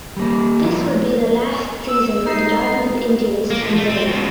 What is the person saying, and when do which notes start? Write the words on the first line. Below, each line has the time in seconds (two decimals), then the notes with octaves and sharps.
This would be the last season for the "Dartmouth Indians" team name.
0.17 G3 A#3
0.62 F3 A#3 E4
1.88 E6
2.26 D#4 C7
3.50 A#3
3.62 A#2 F3
3.76 A3
3.89 C4
4.07 C#2 B2